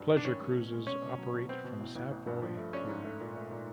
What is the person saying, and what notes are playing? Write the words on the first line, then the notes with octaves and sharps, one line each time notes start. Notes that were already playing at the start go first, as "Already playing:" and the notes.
Pleasure cruises operate from Savoy Pier.
Already playing: G2 F#3
D#3
D4
D#3 C#4
G3
B2
G#3
G#3 C#4
B2
F#3
B2
B3 C4
B2
A1
A1
A1
G2
F3
A3
C#4 D4
G#2
A3
A#2
A3
A#2